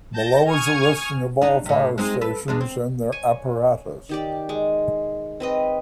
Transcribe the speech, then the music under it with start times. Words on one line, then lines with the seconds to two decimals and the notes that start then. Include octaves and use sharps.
Below is a listing of all fire stations and their apparatus.
0.14 A5 G6 A6 A#6
0.46 G#5 C#6 D#6 F6 G#6
1.41 C#3 D4 D#4
1.66 A2 C3
1.98 G#3 C4 D#4
2.21 A4 B4
2.48 E2 G#3 D4
2.61 C4
3.12 C#5 G#5
4.09 D#3 G4 D5
4.49 G#3
5.40 C4 B4 D#5